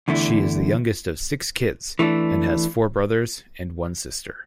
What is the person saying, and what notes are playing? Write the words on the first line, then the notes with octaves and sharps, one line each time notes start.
She is the youngest of six kids, and has four brothers and one sister.
E2 D3 A3 E4
E3 A3 D4